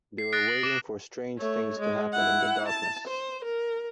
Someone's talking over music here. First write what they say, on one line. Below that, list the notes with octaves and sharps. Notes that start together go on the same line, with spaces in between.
They were waiting for strange things to happen in the darkness.
C7
D#6 F#6 A6 A#6 C7 D7
D7 F#7
D6 C7 E7
A3 C#5
G#3
E4 F#5
A5
C5
A#4